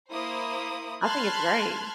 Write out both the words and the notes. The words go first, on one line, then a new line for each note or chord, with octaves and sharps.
I think it's great.
A#3 E4 C5 D#6
A5 B5 C6 F6 F#6 G#6